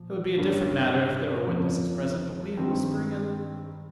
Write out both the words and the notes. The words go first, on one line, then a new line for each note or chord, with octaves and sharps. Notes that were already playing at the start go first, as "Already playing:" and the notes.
It would be a different matter if there were witnesses present, but we are whispering alone.
Already playing: A#2 F3
G2 D3 G3 A#3 C#4
F2 C#3 F3 A#3
G2 D#3 G3 C4